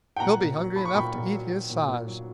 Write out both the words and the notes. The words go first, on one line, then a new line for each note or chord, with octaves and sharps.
"He'll be hungry enough to eat his size."
G5
A#2 F#5 A#5
A#2
F#3
F#3 B5
C#6
A#2 G5 B5
A#2
F#3
F#3
A#2
A#2
F#3